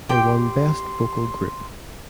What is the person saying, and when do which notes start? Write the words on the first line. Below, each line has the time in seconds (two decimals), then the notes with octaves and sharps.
They won Best Vocal Group.
0.09 G4 G5 C6